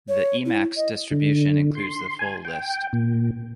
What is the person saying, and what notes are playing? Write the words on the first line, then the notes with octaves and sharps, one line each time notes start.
The Emacs distribution includes the full list.
C#5
E4
D#5
D3
C6
G#5
G5
A#2